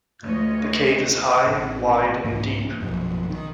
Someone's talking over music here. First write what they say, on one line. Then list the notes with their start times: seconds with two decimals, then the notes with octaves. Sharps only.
The cave is high, wide, and deep.
0.22 D2 E3 F4 C#5 D#5
1.46 A1 C4
2.24 C2 G#2 E3 A#3
2.80 A#1 F#2 B2 F3
3.30 D#3